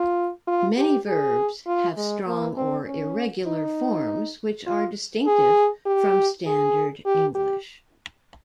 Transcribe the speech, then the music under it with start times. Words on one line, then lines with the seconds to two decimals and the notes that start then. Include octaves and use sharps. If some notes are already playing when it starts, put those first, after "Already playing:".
Many verbs have strong or irregular forms which are distinctive from Standard English.
Already playing: F4
0.48 F4
0.77 G4
1.08 G#4
1.67 F4
1.97 G#3
2.27 A#3
2.57 C4
2.86 C#4
3.47 D#4
4.66 F4
5.27 G#4
5.86 G4
6.47 G#4
7.06 G4
7.35 G4